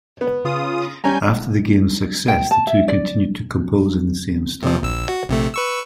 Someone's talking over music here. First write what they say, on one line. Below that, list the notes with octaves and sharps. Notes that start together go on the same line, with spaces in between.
After the game's success, the two continued to compose in the same style.
B3
C#3 F4 D#6
G3 C#4 G#5 A#5 G6
G5
A5
E5
D5
C3 F3
A#1 E6
F#4
A#1 C3 A3
B4 C#6 E6